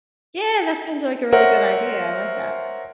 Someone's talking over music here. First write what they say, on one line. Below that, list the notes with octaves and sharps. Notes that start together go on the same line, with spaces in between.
Yeah, that sounds like a really good idea, I like that.
A#4 C5 C#5 E5 F#5